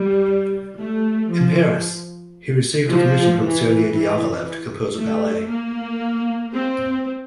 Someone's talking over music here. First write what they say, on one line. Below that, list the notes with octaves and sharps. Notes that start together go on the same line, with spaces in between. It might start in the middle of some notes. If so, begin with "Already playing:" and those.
In Paris, he received a commission from Serge Diaghilev to compose a ballet.
Already playing: G3
A3
F3
F3
E3
E3
A3
A#3
C4